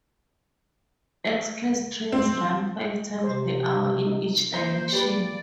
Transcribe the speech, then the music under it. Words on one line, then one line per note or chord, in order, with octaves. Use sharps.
Express trains run five times per hour in each direction.
C4
C3 C5
D#4
A#3 C5 A#5
G4 B4 D5